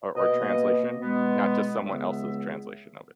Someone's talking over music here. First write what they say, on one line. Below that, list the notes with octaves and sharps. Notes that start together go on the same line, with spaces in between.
or or translation, not just someone else's translation of it.
B2 A#3 D#5
B2 G#3 B3
C#2 C#3 G#3 B3 E5